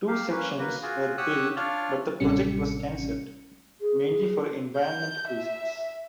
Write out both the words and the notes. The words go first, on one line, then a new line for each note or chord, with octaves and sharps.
Two sections were built but the project was cancelled, mainly for environmental reasons.
G4 F5
A#3 C#4 B4
A#3 F#4 B4
F4 F#4 G#4
G4 C#5 F#5 D#6 E6 F#6
D4 F4 C#5 D5 F6
A1 C3 G3 C#4 C#7
G#4
G6
E5